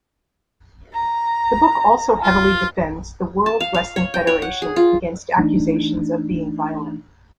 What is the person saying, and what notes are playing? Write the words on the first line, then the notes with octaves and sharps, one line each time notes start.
The book also heavily defends the World Wrestling Federation against accusations of being violent.
A#5
F4
A5
F5
F5
C#5
G5
C#5
F#5
G#4
F4
E3 A3 D4 D#4